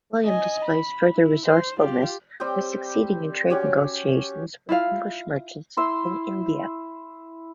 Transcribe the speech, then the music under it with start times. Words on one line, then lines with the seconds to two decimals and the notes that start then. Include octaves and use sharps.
William displays further resourcefulness by succeeding in trade negotiations with English merchants in India.
0.25 D#5 G#5
0.65 B5
1.15 E4
1.46 C5
1.80 F4 G4
2.40 G3 C4 G4 G5
3.50 C#4 F#4 G4 C#5
4.69 E4 F4 F5
5.77 E4 C6 E6